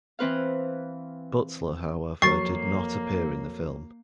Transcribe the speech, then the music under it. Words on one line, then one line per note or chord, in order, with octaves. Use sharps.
Butler, however, did not appear in the film.
E3 C4 B4 F5
F2 F#3 A#3 C#6 A6 C7